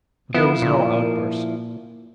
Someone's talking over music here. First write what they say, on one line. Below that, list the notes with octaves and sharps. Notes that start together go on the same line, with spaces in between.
But there was no outburst.
F3 B3 E4
A#2